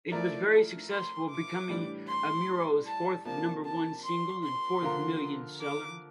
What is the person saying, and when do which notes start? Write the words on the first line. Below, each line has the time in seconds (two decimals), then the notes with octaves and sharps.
It was very successful, becoming Amuro's fourth number one single and fourth million-seller.
0.12 F3 A3 E4 A#4 D5
0.90 C6
1.30 D6
1.69 A2 E3 G3 D4
2.07 C6
2.87 A5
3.25 C3 F3 A#3 D4 A5
3.65 A5
4.04 C6
4.43 C6
4.82 D3 F3 A#3 F4 A#4
5.61 D6